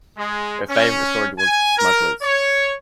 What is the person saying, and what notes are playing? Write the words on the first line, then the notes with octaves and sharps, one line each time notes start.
Her favourite story was The Smugglers.
G#3
C#4
G#5
A#4
C#5